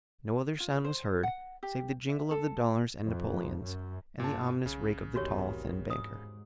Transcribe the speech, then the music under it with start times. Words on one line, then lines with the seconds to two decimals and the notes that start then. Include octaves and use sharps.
No other sound was heard save the jingle of the dollars and napoleons, and the ominous rake of the tall, thin banker.
0.60 F4
0.85 C5
1.23 F#5
1.63 G4
2.09 E5
2.31 A4
3.05 F2
3.63 F#2
4.20 G2 A#2 A5
4.66 B1 C#3
5.16 G#1 E2 D#3 F#4 G4 C#5
5.90 G#2 D#6